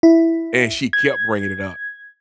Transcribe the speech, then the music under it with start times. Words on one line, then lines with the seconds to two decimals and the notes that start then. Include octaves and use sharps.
and she kept bringing it up.
0.03 E4
0.93 G#6